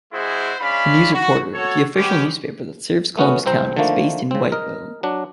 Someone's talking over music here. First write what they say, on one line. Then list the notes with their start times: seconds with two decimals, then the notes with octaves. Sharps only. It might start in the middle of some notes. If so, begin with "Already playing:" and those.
"The News Reporter," the official newspaper that serves Columbus County, is based in Whiteville.
0.13 G#3 C4 E4 F#4 G#4 C5
0.61 G#3 C#4 D4 F5 B5
1.14 F#4
1.54 F#4 A4 C#5
1.96 G#3 B3 C#4 G4
3.17 A3 B3 C#4 F#4
3.46 C2 C4 C5 A#5
3.76 D3 D#3 F3 A3 A#3
4.31 C#3 C4
4.52 A#4 D#5
5.03 F#3 D4